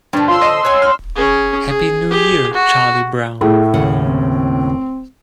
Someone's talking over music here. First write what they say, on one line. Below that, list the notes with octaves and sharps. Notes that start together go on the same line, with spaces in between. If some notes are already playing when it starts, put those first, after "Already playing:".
Happy New Year, Charlie Brown!
G2 D3 F3
F4 C6 E6
D#5
C#5 F#5 G#5
F6
C#4 G#4
G#4
G4 G#4
F#4
A2 A3 G#4
D#2 C#3 F#5
C4